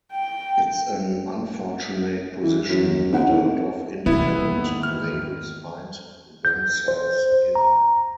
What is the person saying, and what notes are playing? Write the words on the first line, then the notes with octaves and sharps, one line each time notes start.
It's an unfortunate position that a lot of independent labels find themselves in.
G5
E3
F#2
D#2 C4 D#4 F#5
A2
C3 E3 G3 A#3 B3 E4
E2 G#2 D#3
F6
G6
C5
A#5